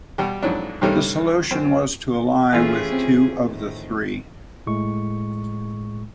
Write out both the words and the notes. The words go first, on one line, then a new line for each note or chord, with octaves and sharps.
The solution was to ally with two of the three.
B2 G3 G4
F2 G#2 E3 F#3 D4
G2 C3 D#3 G3 A3 C#4
F#2 C4
E3 A3 C#4 F4 G4 G#4
C4
A2 D#3
A2 G#3 C#6